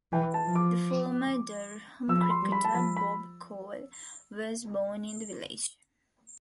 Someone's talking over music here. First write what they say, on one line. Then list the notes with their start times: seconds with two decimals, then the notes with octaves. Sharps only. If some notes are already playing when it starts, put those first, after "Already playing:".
The former Durham cricketer Bob Cole was born in the village.
0.12 E3 G5
0.34 A5
0.45 F3
0.55 D6
2.08 F3 E6
2.21 B5
2.30 C6
2.42 G3
2.52 B5
2.65 A5
2.74 F3 B5
2.97 B5